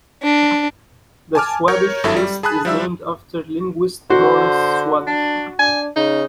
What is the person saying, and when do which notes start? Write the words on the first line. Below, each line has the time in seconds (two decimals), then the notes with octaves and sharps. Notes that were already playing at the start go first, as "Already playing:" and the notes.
The Swadesh list is named after linguist Morris Swadesh.
0.23 D4
1.35 G#5 A5 D6 F6
1.68 A#4 C#5 G6
2.04 G#1 G2 F#3 E4 A4 E5
2.16 G3
2.43 G#4 A5 B5 D#6 F#6
2.65 F3 G3 E5 E6
4.10 D3 F#4 C5
5.07 D4
5.59 D4 G#5
5.96 C#3 D#4